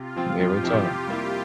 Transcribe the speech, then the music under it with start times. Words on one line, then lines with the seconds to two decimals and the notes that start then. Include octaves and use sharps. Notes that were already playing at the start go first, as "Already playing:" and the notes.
Yeah, real talk.
Already playing: C3 F4
0.16 F3 C4
0.39 F2 G4
0.63 C3 F3 C4 E4
0.85 C3
1.07 G3 A#3 E4